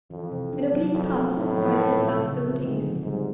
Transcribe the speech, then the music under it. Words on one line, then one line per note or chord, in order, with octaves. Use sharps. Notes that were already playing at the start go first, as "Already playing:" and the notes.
In oblique paths he finds himself ill at ease.
F2 E3
C3
D4
F#3
F2 F#3
C4
A2 D#4
F3
C4
A#2
C#3
C4
G#2 D3
F3
G#2 G3